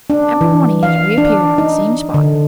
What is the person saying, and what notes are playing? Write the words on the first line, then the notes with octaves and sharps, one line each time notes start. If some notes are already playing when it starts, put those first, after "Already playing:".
Every morning he has reappeared on the same spot.
D4
E3
F5
D4
D#4
D3